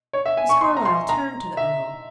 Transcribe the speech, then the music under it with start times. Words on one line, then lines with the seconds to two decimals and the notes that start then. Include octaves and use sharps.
Miss Carlyle turned to the earl.
0.13 C#5
0.26 E5
0.37 G#5
0.49 C#6
0.61 C6
0.77 A#5
0.85 C6
1.09 A#5
1.57 E5